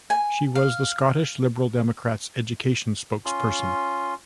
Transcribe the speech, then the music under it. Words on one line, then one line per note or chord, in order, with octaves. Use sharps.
She was the Scottish Liberal Democrats' Education Spokesperson.
G#5
F5
C#4 F4 C6